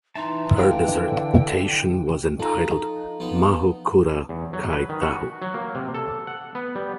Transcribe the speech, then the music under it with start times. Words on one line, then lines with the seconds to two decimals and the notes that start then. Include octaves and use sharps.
Her dissertation was entitled "Mahu Kura Kai Tahu".
0.15 E3 D#4 E5 A5 A#5 C6
0.56 D3 B4 F5 G5 F#6
2.40 F3 D#4 A4 A#5
3.20 F3 B3 D#4
4.29 E2
4.53 F#3
4.72 B4
4.89 D#3
5.02 F#4
5.42 F#3
5.54 A#3
5.75 C3
5.94 A4
6.27 F#5
6.55 B3
6.75 G3